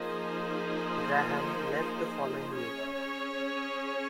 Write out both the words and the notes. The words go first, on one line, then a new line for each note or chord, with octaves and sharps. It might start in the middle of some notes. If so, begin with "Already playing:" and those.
Graham left the following year.
Already playing: F3 A#3 D#4 G#4 C5
C#4 G#4 C#5